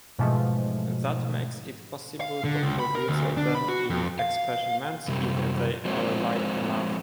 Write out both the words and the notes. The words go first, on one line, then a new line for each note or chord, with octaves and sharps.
That makes it possible to produce them in experiments if they are light enough.
G#2 B2 E3 F3 G#3 A3
F5
D3
C#2
B5
A#4
D2
D4
B5
F#4
F2
F5
F#2 C3 G3
F3 G#3 C4 F#4 C5 C#5